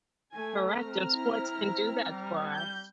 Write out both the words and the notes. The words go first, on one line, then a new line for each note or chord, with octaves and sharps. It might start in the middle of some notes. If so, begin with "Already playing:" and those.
Correct, and sports can do that for us.
A3 G#5
C4 A#5 F6
E4
G3
G6